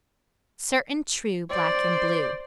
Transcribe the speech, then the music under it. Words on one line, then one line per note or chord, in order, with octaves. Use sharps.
Certain, true, Black and blue.
C5 D5